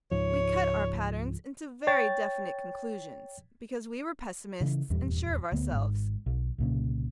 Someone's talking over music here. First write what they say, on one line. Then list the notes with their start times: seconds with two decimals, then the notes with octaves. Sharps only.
We cut our patterns into very definite conclusions because we were pessimists and sure of ourselves.
0.11 C#2 G#2 F3 C#5
1.87 C#5 G5 A6
4.60 C#3 E3
4.90 D#1 E2 G2 G3
5.52 D2 B3
5.71 G#1 G#2
6.26 B1
6.58 C2 A#2 C#3